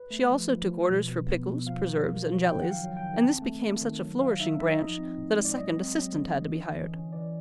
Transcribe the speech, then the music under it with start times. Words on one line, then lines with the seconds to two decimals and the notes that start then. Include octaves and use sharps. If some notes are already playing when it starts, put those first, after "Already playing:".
She also took orders for pickles, preserves, and jellies, and this became such a flourishing branch that a second assistant had to be hired.
Already playing: B4
0.11 A3
0.30 F3
0.50 F3
0.69 F3
0.89 B2
1.08 B2
1.28 B3
1.48 B2
1.67 F3 F5
1.87 A#3
2.06 A#3
2.26 F3
2.45 D#3 G5
2.62 F#3 F#5
2.71 F5
2.84 F#3
2.97 G5
3.03 D#3
3.23 C4 A5
3.42 A3
3.62 A3
3.81 D#3
4.01 F#3
4.21 F#3 F5
4.40 D#4 E5
4.59 D#4 E5
4.79 F3 D#5
4.98 C4
5.18 A2
5.37 G#3
5.45 D5
5.57 F#3 D#5
5.77 C4
5.96 F#3
6.15 D3
6.35 E3
6.54 C#4
6.74 E3
6.93 C#4
7.13 E3 D5